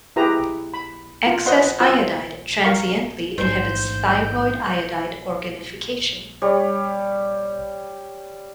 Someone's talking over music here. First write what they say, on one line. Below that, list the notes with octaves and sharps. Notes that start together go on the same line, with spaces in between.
Excess iodide transiently inhibits thyroid iodide organification.
E4 G4 G#4 B4 A#5
B5
F4
B4 C5 D#5 F#5 C6
F4 C5 G#5 E6
A#4 F5 C#6
A1 G#2 C5 G6
G3 C#5